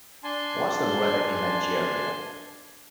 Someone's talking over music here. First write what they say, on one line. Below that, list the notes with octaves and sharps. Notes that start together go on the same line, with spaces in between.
What's the weather in Nigeria?
D4 G#5 A5 C6